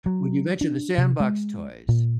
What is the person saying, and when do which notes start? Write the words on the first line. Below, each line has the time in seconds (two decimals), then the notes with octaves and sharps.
When you mentioned the sandbox toys,
0.06 F#3
0.61 D4
0.98 C3
1.20 G#3
1.88 A#2